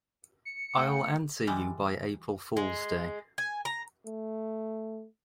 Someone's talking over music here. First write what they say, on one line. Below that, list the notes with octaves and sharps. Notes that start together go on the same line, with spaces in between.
I'll answer you by April Fool's Day.
C#7
A3 F#5 G5
E3 G3 G#3
G#3
G#5
A#5
A3